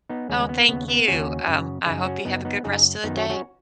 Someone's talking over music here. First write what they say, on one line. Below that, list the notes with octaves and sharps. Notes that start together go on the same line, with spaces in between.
Oh, thank you, um, I hope you have a good rest of the day.
B3 D#4
D#2 C#3 G#3 C#4
G#3
B3
D#2 C#3 B3
B3
D#2 C#3 C#4 F#4
F#2 C#3
F#2 C#3 D#4 G#4
C#4 F#4
F#2 C#3 B3 D#4
B3 D#4
F#2 C#3 D#4 G#4
F#2 D#3 B3 D#4
C#4 F#4
C#4 F#4